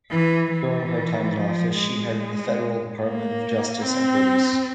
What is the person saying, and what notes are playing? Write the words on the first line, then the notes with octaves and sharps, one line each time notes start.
During her time in office she headed the Federal Department of Justice and Police.
E3
E3
F3
G#3
A#3
C4